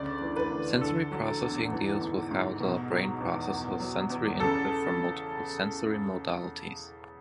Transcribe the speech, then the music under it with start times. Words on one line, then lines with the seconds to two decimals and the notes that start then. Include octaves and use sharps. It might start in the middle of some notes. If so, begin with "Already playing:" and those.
Sensory processing deals with how the brain processes sensory input from multiple sensory modalities.
Already playing: D2 C#3 D5
0.21 E3
0.36 B4
0.51 D2
0.81 D3 A4
1.11 F#3
1.41 E2
1.71 E3
2.01 G#2
2.31 G#2
2.61 B2
2.90 F#3
3.21 E2
3.50 B2
3.80 F#3
4.10 E2
4.40 C#3 A4